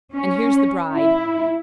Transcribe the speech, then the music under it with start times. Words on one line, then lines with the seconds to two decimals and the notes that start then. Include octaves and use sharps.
And here's the Bride!
0.13 C#4
0.93 E4